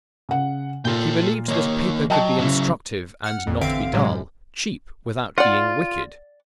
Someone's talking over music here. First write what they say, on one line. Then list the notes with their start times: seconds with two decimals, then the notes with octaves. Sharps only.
He believed that a paper could be instructive and not be dull, cheap without being wicked.
0.29 C#3 F#5
0.85 A#2 F4 A4 G5
1.48 D#3 A#3 C#5
2.10 F#3 D#5 G5 A5
2.39 C#3 F#3 E4
3.24 F#5 F6
3.47 G#1 F2
3.61 A1 D3 C4 E5 F5 D7
3.93 A2 C3 F#3 G#3
4.09 F#2
5.38 F4 D5 F#5